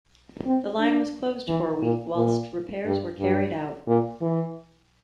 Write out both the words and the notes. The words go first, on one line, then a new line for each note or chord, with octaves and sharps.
The line was closed for a week whilst repairs were carried out.
C4
D4
E3
A#2
A#2
G2
G2
A#2
E3